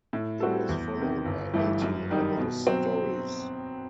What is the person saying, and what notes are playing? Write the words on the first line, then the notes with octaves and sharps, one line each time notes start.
It was followed by eighteen other stories.
A2
G3 C4 F#4 A4
E2
C3 D#3
G1
G2 E3 A3
F#2
D#3 G3 D#4
B2
F#3 C4